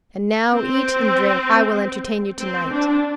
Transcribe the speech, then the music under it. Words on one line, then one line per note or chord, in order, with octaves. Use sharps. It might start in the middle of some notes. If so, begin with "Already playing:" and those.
And now eat and drink; I will entertain you to-night.
C4
C4
D4